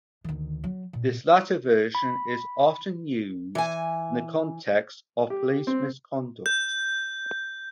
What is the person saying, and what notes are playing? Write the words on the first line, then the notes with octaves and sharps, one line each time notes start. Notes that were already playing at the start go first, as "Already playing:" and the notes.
This latter version is often used in the context of police misconduct.
D2 D#3
F#3
A#2
B5
E3 G#5
G4
C4
G6